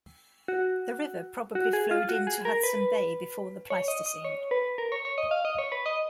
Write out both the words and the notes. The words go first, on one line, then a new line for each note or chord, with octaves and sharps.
The river probably flowed into Hudson Bay before the Pleistocene.
F#4
F#4
G#4
F4
F#4
G#4
A#4
B4
C#5
D#5
D#5
C#5
B4
A#4
C#5
C#5
D#5
F5
D#5
C#5
B4
D#5